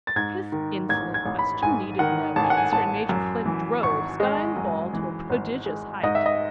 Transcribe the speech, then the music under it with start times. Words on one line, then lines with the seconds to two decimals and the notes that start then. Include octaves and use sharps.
This insolent question needed no answer, and Major Flint drove, skying the ball to a prodigious height.
0.07 A6
0.16 G#2 G#6
0.52 D#3
0.89 A1 G#6
1.14 G#6
1.26 A1
1.39 B5
1.62 G#2 G#5
1.99 D#3 F#5
2.36 A1 A5
2.44 G#5
2.50 F#5
2.57 G#5
2.73 A1 A5
3.09 F#2
3.46 E3
3.83 G#1 C#6
4.20 G#3 D#5
4.57 F#2
4.94 E3
5.30 G#1
5.66 G#3
6.03 G#2 D#5
6.15 E5
6.26 D#5